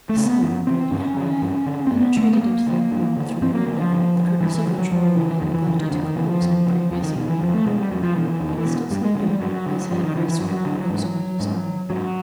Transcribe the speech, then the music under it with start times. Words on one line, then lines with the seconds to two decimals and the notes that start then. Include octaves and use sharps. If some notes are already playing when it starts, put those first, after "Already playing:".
The sun, already high, penetrated into the room through the window, the curtains of which Raoul had neglected to close on the previous evening. He was still sleeping, his head gracefully reposing on his arm.
0.09 A3
0.16 C#3
0.26 B3
0.42 F#2
0.67 C#3 C4
0.91 G2 C#4
1.17 D3
1.42 G2
1.66 D3
1.87 C4
1.91 G2 B3
2.17 D3 A3
2.33 B3
2.41 G2 A#3
2.66 D3
2.91 G2
3.17 D3
3.41 G2 C4
3.53 A#3
3.67 D3 A#3
3.80 F3
3.92 G2
4.16 D3
4.41 G2 E3
4.55 E3
4.66 D3 F3
4.78 F#3
4.91 F2 F3
5.16 C#3 E3
5.31 E3
5.41 F2 D#3
5.54 E3
5.66 C#3 E3
5.79 D#3
5.91 F2 D3
6.03 D#3
6.16 C#3 E3
6.28 F3
6.42 F2
6.66 C#3
6.91 E2 F3
7.04 D#3
7.16 B2 D#3
7.28 E3
7.41 E2 F3
7.54 A3
7.66 B2 G#3
7.79 G3
7.91 E2 F#3
8.03 F3
8.16 B2 E3
8.28 E3
8.40 E2 D#3
8.57 E3
8.65 B2
8.90 G2 G3
9.03 G#3
9.15 D3 G#3
9.28 G3
9.41 G2 F#3
9.66 D3
9.90 G2 F3
10.04 D#3
10.15 D3 E3
10.28 E3
10.40 G2 F#3
10.65 D3
10.90 G#2
11.40 G#2
11.90 G#2 F#3